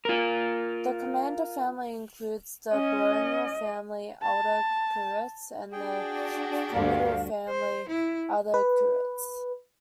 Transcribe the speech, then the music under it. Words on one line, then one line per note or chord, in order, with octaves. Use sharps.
The commander family includes the baronial family Adlercreutz and the comital family Adlercreutz.
F4 A#4
C#4 D#5
A5
D4 F#4 G#4 G5
D2 G2 G4 F5
C5
E4
B4